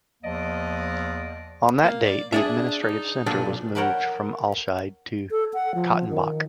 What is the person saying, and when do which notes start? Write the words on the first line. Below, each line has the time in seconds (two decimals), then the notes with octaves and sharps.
On that date, the administrative centre was moved from Alscheid to Kautenbach.
0.23 E2 F3 A#3 D5 D#5
1.83 A#3
2.04 D5
2.32 D4 G#4 D5 E5
2.82 D#4
3.26 B1 A#2 D4
3.75 A#4 C#5 F#5 G5 A5 B5
5.30 A4
5.54 F#5
5.75 F3
6.09 D#3